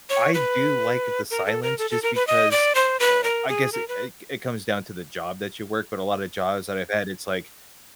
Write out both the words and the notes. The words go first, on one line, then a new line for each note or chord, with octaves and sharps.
I do like the silence just because, uh, I guess it c it comes down to the job that you work, but a lot of jobs that I've had, it's like
C#5
B4
A#4
A4
A#4
A4
A4
A#4
B4
D#5
D5
C5
B4
A#4
G#4
A#4
B4